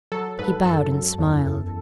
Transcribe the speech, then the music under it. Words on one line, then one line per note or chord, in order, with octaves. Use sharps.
He bowed and smiled.
F#3 A4
G#2 B4
F#2 A4
F#2
E2
E2